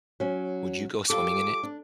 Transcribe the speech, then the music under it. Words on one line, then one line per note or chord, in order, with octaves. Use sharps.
would you go swimming in it?
F#3 C#4
G3 F4 A4 D6
D4